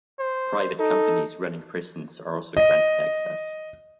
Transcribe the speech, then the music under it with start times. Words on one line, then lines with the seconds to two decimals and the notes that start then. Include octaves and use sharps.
Private companies running prisons are also granted access.
0.19 C5
0.79 D#4 A4
2.57 D#5